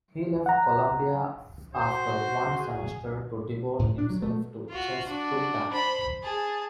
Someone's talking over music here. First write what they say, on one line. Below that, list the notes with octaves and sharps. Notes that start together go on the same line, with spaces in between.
He left Columbia after one semester to devote himself to chess full-time.
F#5 A#5
F#4 C5
G#4
A2
D4
F#3
A3
F4 F#4
D4 F#4
C5 B5
G#4 A5